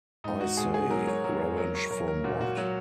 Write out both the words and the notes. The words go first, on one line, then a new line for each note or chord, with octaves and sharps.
I say revenge from what?
G#2 D#4
F#4
G#2 G#4
G#4
F#3 A#4
C#5
F#3 A#4
G#4
F#3 A#4
C#5
F#3 A#4
A#4
A#2 F#4
F#4
F#3 F#4